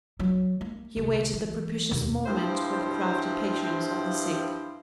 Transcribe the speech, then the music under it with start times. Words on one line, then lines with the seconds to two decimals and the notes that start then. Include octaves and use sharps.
He awaited the propitious moment with the crafty patience of the sick.
0.19 F#3
0.61 A#3
0.96 C2 D3
1.33 E3
1.91 E1 D#2
2.26 G2 F3 E4 C5 G5